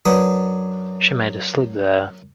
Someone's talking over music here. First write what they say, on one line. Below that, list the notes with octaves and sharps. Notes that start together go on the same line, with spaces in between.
She made a slip there.
F#2 F#3 D4 B4 D#6